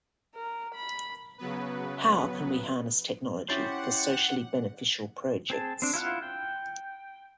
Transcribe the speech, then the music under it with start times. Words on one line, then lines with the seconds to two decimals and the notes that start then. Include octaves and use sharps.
How can we harness technology for socially beneficial projects?
0.35 A#4
0.75 B5
1.38 C#3 F#3 B3 B4
3.49 C#4 E4 G4 C5 F#5 A6
5.50 C4 G#4 A5
5.82 C4 D4
5.93 E4 F4 F5 F#5
6.22 G5